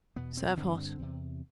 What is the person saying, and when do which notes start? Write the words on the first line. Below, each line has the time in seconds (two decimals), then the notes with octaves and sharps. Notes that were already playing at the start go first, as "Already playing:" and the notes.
Serve hot.
0.16 E2 B2 B3
0.37 C4
0.57 G2 D3 C4
0.99 E2 C3